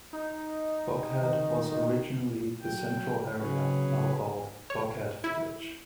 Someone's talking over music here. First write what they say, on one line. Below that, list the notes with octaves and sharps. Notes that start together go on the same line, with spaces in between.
Buckhead was originally the central area now called "Buckhead Village".
D#4
D#3
F#3 G5
C#3 F#3 C#4 G#4 B4 C#5
C#5
E4